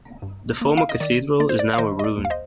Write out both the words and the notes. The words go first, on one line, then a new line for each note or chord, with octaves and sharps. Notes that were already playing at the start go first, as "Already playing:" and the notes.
The former cathedral is now a ruin.
G2
A#3
F5
D#5
D#3 D5
A#3 D5
C5
D5
F5
D#3 C5 D#5
D#5
D5
D#2
F5
C5 D#5